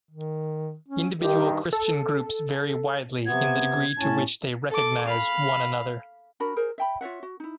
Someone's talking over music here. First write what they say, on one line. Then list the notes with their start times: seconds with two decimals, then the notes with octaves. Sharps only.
Individual Christian groups vary widely in the degree to which they recognize one another.
0.11 D#3
0.88 C#4
1.20 G2 D#3 G4
1.73 A4
3.26 C3 B3 G#6
3.98 A2 C#4 A5
4.70 A4 D6
5.06 F5 B5
6.40 D4 F#4 A#4 B5
6.56 G#4 A#4 C5
6.78 E5 G5 B5
7.01 F4 C#5 E5 F#5
7.23 F#4
7.40 D#4 E4